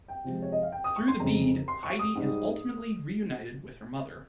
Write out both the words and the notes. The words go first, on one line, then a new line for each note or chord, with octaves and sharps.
Through the bead, Heide is ultimately reunited her with her mother.
G5
C3 F3 G#3
C#5
D#5
F5
G5
D#6
C#6
C6
F2 C#3 G#3 A#5
C6
C#6
D#6
G#2 G3